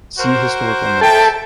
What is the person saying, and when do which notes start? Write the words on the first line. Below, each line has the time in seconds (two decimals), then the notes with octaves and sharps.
See historical notes.
0.18 F#4 A#4 C5
1.01 A4 E5 G5